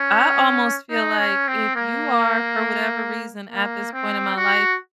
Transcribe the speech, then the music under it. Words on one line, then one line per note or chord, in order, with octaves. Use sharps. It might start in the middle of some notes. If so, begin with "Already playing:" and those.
I almost feel like if you are, for whatever reason, at this point in my life
Already playing: C#4
D#4
C#4
C4
A#3
A#3
C4
F#4